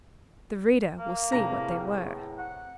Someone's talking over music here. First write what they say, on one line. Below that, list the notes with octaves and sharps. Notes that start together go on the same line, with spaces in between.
The reader will see what they were.
A#3
E2 A2 C3 A#5 A#6
F#5